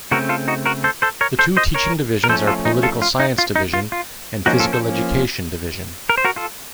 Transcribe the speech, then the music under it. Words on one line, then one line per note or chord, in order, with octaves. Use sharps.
The two teaching divisions are Political Science Division and Physical Education Division.
C#3 A3 C4 F#4 A#4
F4 A4
D#4 F#4
F#4 A#4
A4 C5
A4 C5
A#4 C#5
A4 C5
C5 D#5
A#4 C#5
A#4
F3 A3 C#4 A4 C5
F4 A4
D#4
F4 A4
F4
D#4
F4
D#4
F4
F4
F3 A#3 C#4 D#4 F#4
F4 A4
A4 C5
A#4
C5
F#4 A#4
F4 A4